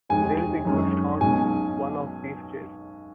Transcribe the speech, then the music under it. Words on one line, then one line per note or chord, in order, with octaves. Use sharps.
They’ll be good shots one of these days.
F1 D#2 D#3 G#3 G#5
F#2 D#3 G#3 C#4
B1 B2 G#3 C#4 G#5